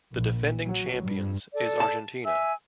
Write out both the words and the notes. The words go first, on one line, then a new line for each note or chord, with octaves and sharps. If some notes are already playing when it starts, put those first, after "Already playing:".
The defending champions is Argentina.
A#1
F#3
G2
A4 D5
A5
E5 G#5 E6